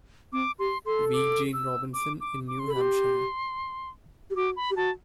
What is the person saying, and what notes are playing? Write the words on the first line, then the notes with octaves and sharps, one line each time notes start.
V. Gene Robinson in New Hampshire.
C4 D6
G4 C6
A4 C6
D6
E6
D6
D6
D6
C6
A4
G4 B5
C6
G4
F#4 D6
B5
G4
F#4 A5